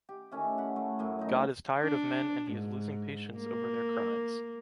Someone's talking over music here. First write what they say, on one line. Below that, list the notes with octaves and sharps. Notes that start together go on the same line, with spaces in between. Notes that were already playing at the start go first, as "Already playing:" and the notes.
God is tired of men and He is losing patience over their crimes.
G4
D#3 A3 C#4 E4
F#5 B5
A3
F#2 A2 F#3
D#3 A3 D#4
D4
G#2
A#3